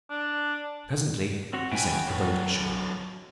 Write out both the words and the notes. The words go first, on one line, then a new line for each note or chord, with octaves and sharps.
Presently he sent a boat ashore.
D4
C4 F#4 C#5
F#2 F#4 B4 G5 G#5
D3 F#3